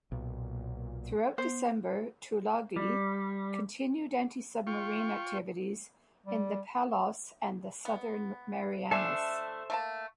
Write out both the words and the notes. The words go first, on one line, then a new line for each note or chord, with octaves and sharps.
Throughout December, "Tulagi" continued antisubmarine activities in the Palaus and the southern Marianas.
B1 A#2
B3 C5
G3
F4 G5 C#6
G3
B3
A3 D4 A4 C5 E5 G#5
A3 A#3 A5